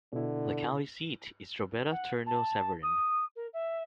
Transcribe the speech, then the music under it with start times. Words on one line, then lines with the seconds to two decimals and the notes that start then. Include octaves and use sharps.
The county seat is Drobeta-Turnu Severin.
0.13 B2 D3 E4
1.91 F#5
2.26 A5
2.83 D#6
3.36 A#4
3.53 E5